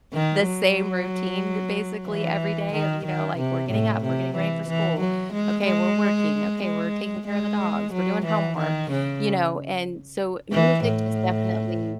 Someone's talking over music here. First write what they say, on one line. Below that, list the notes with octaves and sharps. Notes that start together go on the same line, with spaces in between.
the same routine basically every day of, you know, like, "We're getting up, we're getting ready for school; okay, we're working, okay, we're taking care of the dogs, we're doing homework," you know? And so, music is definitely
D#3
F#3
E3
D#3
D#3
C3
A2
C3
E3
E3
F#3
G#3
G#3
G#3
G#3
F#3
E3
D#3
C#3
E3
A2